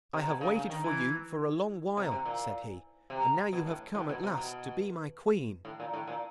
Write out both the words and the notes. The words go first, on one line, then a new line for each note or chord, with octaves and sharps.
'I have waited for you for a long while,' said he, 'and now you have come at last to be my queen.'
C3
B2
C#3
C#3
D#3
E3
C3
C3
A#2
C3
B2
A2
A2
B2
C3
B2
A2
A#2
A2
A#2